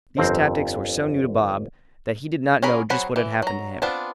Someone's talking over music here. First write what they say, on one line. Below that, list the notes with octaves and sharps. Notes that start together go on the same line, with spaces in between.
These tactics were so new to Bob, that he did not know just what had happened to him.
G1 F2 C4 A#4 C5
C#4 F#4 G#4 A#4 B5
F#3 C4 G#4 F#5 B5
E3
F#3 A#5
B3 C4 D4 F4